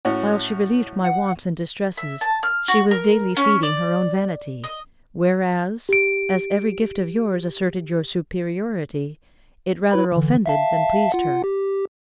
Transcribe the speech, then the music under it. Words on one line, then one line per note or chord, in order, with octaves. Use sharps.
While she relieved my wants and distresses she was daily feeding her own vanity; whereas, as every gift of yours asserted your superiority, it rather offended than pleased her.
A2 C#4 F#4
F#5
E5
A5
F6
F#4
A#4
C#4
D5
D#5
G4 D7
E4 B4 B5
D3 E3
E5 F5 A5
F4 F#5
G4